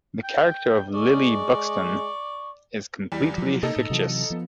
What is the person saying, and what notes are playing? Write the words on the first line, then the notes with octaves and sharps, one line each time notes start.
The character of Lily Buxton is completely fictitious.
G5
G#3 D5 C#6
E2 G3
F3 F#3
C3 A#3 D#4 A4 D#5
A2
C3 E3 F#3
F3 B3